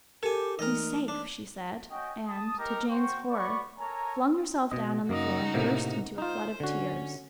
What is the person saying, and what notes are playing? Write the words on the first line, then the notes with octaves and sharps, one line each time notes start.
'HE'S safe!' she said, and, to jane's horror, flung herself down on the floor and burst into floods of tears.
G4 A4 A#4 G#5
E3 A3 A#3 D#4 A#4 D#5
D4
C#4 F#4 D#5 G5
A5 D#6
D#4 G4 A#4
F#4 C5 G5 C#6
B3 D5 C#6
A4 A#4 C#5 G#5 A#5
B2 D#5
F#2 C#3 A#3 D#4 F#4 D#5
A2 C3 A#3
D#4 F4 C5
D3 C#4 F#4